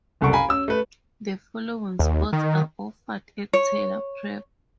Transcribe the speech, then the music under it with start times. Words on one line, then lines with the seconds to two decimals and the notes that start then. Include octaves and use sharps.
The following sports are offered at Taylor Prep.
0.21 F#1 C2 A4 F#5 C#6 D7
0.33 F5 G#5 A#5 B5
0.49 C#4 E6
0.68 A3 B4
1.99 D#2
2.33 D#3
3.53 C#5